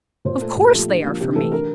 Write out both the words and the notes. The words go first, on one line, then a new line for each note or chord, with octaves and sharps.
Of course they are for me.'
A#2 C5
A3 A4
A#2 G4
A4
F3 A3 G4
D3
F3 A#3
C3 G4
E3 A3 A4
D3 A#4